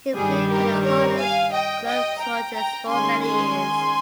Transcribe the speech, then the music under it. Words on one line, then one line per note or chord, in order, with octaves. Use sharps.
He played for the Harlem Globetrotters for many years.
G2 D#3 G3 G#4
G4 A#4
A#4 C#5
F5 G#5
D#5 G5
D#5 G5
G5 A#5
G5 A#5
D#3 G#3 C#4 G#5 C6
G#5 C6